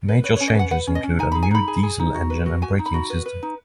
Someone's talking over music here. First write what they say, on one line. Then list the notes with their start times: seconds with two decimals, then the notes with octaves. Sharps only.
Major changes include a new diesel engine and braking system.
0.08 B4
0.24 B4 C#5
0.36 C#5
0.40 C#4
0.48 D#5
0.55 B4 F#5
0.71 B4 F#5
0.87 C#4
0.95 D#5
1.03 C#4
1.19 D#4 G#5
1.32 B5
1.35 G#4
1.43 G#5
1.51 D#4 B5
1.68 G#4
1.83 G#4
1.99 D#4
2.15 F#4
2.30 B4
2.46 F#4
2.62 F#4 G#5
2.79 D#4
2.86 B5
2.94 F#4
3.10 B4
3.26 B4
3.43 D#4